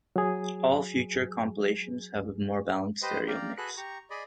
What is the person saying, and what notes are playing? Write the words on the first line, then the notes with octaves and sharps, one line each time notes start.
All future compilations have a more balanced stereo mix.
F#3 G#4
G4 B4 C5 D#5
D5 F5 G5 A#5
F#4 G#4 A4 B4 F#6
G4 A#5 C#6
G#4 D5 D#5 B5